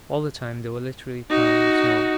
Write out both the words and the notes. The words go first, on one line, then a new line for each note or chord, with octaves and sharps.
All the time they were literally ploughing the snow.
D#4 F#4